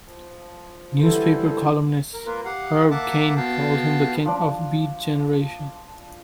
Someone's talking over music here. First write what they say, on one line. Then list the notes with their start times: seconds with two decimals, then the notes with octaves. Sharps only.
Newspaper columnist Herb Caen called him the king of the Beat Generation.
0.04 F3
1.00 D3 E3 G3 E4 A4 C5
2.13 A#4
2.26 A#3 F4 A#4 B4
2.45 G4 F5 F#5
2.91 A#3 E5 F#5 A5 D6
3.37 B3 F#4 F5 G5 A5
4.25 F3 D4